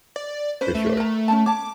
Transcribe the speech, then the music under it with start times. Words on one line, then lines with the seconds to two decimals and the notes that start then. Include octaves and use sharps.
For sure.
0.16 D5
0.61 C#4 B4 C5
0.75 A3
0.97 A#4 A#5
1.28 C#4 D#4 A5
1.46 C#5 A5 D6